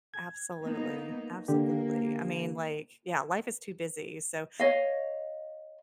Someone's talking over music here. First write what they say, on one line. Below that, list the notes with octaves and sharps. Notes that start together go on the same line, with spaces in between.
Absolutely, absolutely, I mean, like, yeah, life is too busy, so
G#6
A#3 B3 D#4
D3 A#3 G4
C#5 D#5 F5